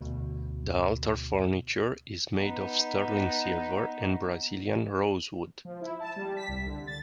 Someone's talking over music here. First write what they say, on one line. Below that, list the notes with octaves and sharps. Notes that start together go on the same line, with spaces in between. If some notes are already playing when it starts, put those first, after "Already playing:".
The altar furniture is made of sterling silver and Brazilian rosewood.
D2 B2
B3 D#4
F3
E4
A5
G3
B6
C2
D3
A6